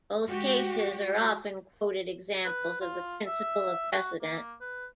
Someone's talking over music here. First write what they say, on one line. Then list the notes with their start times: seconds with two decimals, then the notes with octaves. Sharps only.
Both cases are often quoted examples of the principle of precedent.
0.25 G#3 F#4 G4
2.45 B4
2.81 F4
3.27 E5
3.92 F#4
4.22 A#3
4.61 B4